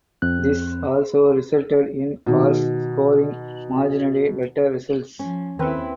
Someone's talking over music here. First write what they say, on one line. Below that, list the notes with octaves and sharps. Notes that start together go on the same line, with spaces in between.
This also resulted in cars scoring marginally better results.
F2 C4 F#6
B2 D#3
F3 C#4
D#2 D#3 C4 E4 A4 B4